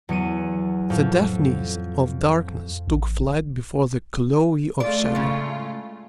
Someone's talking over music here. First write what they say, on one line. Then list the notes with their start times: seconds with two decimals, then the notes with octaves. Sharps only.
The Daphnis of darkness took flight before the Chloe of shadow.
0.09 E2 F#3 C#7 D#7
0.90 F2 A2
2.88 A1
4.80 G#3 A3 F4 D5
5.15 A2 C#3